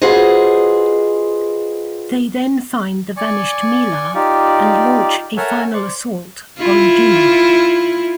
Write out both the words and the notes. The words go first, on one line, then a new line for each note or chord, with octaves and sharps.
They then find the vanished Mila and launch a final assault on Duma.
F4 F#4 G#4 B4 C5 D#5
D5 G#5 C#6
D#4 F4 G4 D5
A4 A#4 C#5 E5 F#5 G#5
C5 D5 C#6
E4 F4